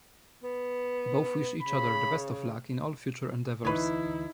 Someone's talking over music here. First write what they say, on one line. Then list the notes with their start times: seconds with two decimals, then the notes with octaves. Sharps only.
Both wish each other the best of luck in all future endeavors.
0.44 B3
1.62 C#3 B5
3.65 D2 E3 D#4 E4 B4 C#5